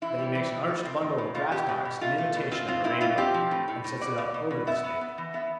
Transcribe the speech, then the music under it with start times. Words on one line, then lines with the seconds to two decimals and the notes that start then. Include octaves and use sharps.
Then he makes an arched bundle of grass stalks in imitation of a rainbow, and sets it up over the snake.
0.02 E3 E4
0.19 G3
0.35 E3
0.52 E3
0.68 A3
0.85 C4
1.01 A2
1.18 A2
1.35 B2 F4
1.51 B2 G4
1.69 B2
1.85 B2
2.01 A3 F4
2.18 A3
2.35 B2
2.51 C4 F4
2.68 C4 F4
2.84 C4 E4
3.01 B2 F4
3.18 C4 G4
3.34 F3
3.51 A2
3.68 A2
3.84 A2
4.01 B2 D5
4.18 B2
4.34 B2
4.51 B2
4.67 B3 E5
4.84 B3
5.01 B3
5.18 E3
5.34 B3 E5